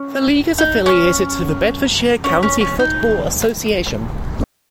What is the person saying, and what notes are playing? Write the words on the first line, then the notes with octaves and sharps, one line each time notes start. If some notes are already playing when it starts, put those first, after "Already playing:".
The league is affiliated to the Bedfordshire County Football Association.
Already playing: C#4
D#4
C#4
C#4
C#4
C#4
D#4